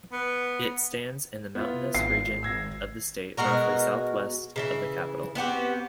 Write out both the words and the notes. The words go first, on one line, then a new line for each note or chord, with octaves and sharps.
It stands in the mountainous region of the state, roughly southwest of the capital.
B3
B3 E4 F4
G#1 C7
E6 G#6 A#6
B2 G#3 F#4 A#4
C#3 E3 E4
B3 C4 F#4 G4